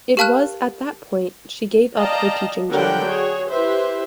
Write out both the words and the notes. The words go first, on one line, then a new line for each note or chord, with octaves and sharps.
It was at that point she gave up her teaching job.
G4 A#4 F5 A5 F6 F#6
D5 D#5 F5 G5 A5 A#5
D3 F#3 G3 A#4 F#5 G5
F#4 G#4 C#5
E4 G4 B4 C5 E5